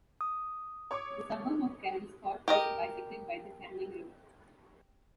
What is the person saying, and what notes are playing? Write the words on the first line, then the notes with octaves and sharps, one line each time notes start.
The suburb of Kelmscott is bisected by the Canning River.
D#6
C#5 C#6 D6
G4 A#4 D#5